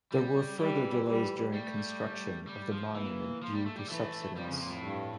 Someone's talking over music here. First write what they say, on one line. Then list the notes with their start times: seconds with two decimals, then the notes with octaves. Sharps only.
There were further delays during construction of the monument due to subsidence.
0.12 G3
0.59 E3 G3
1.07 G3
1.53 G3 A3
2.47 G3
2.71 F3
2.95 E3 A#3
3.42 F3
3.54 G3
3.66 A3
3.77 G3
3.89 E3 A3
4.36 F2 G3
4.48 C#3
4.60 A#2
4.71 A2
4.83 G2